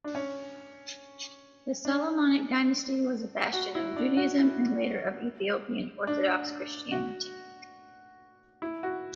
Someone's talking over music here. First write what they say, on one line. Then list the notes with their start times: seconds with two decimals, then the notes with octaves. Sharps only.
The Solomonic dynasty was a bastion of Judaism and later of Ethiopian Orthodox Christianity.
0.04 D4
0.15 C#4
1.85 D4
3.53 F#4
3.75 E4
3.96 D4
4.17 F#4
4.38 E4
6.07 D4
6.92 F#4
8.62 E4
8.83 F#4